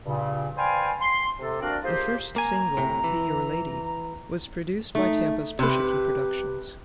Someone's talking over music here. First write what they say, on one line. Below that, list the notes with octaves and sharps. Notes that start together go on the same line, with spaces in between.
The first single, "Be Your Lady", was produced by Tampa's Push-a-Key Productions.
G2 A#2 C#3
B4 C5 D5 F5 G5 G#5
C6
C3 A4
A#3 C4 D4 F#4 A#4 D5
A#3 F4 G4 G#4 C5
A#3 G#5 A#5
A2 C3
E3
A3 D#4
C3 G4 B4